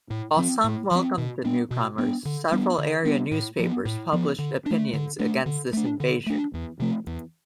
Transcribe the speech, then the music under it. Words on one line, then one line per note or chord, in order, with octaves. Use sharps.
While some welcomed the newcomers, several area newspapers published opinions against this invasion.
A2
F3 C4
A2
F3 C4
B2
B3 D4
B2
B3 D4
D3
G3 B3 D4
D3
G3 B3 D4
A2
F3 B3
A2
F3 B3
D3
A3 D4
D3
A3 D4
D3
A3 D4
D3
A3 D4
E2
C3 F3 A3
E2